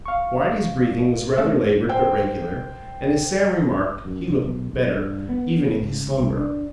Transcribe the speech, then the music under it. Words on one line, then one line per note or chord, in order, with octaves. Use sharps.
Whitey's breathing was rather laboured but regular, and, as Sam remarked, he looked "better", even in his slumber.
F5 C#6
A3
C5 G5
F#2
C2
B1
B1
G2
B3
C#2
C2
D4